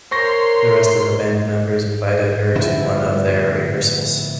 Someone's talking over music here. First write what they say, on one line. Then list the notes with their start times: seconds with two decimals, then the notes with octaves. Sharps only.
The rest of the band members invited her to one of their rehearsals.
0.11 A#4 C5 C#5 C6 C#6 A#6
2.56 A2 D3 F3 B3 C4 E4